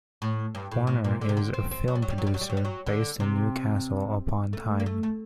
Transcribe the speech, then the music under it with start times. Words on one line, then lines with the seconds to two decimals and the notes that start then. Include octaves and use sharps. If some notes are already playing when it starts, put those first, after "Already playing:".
Horner is a film producer based in Newcastle upon Tyne.
0.22 A2
0.55 G2
0.71 A2
0.87 A2
1.04 A#2
1.21 D3
1.29 C3
1.37 D3
1.54 C4
1.71 C4
1.88 F#3
1.95 G3
2.02 F#3
2.10 G3
2.18 F#3
2.27 G3
2.34 F#3
2.41 G3
2.50 F#3
2.57 G3
2.65 F#3
2.86 D3
3.20 C3
4.53 A3
4.80 A#3
4.86 A3
5.03 A3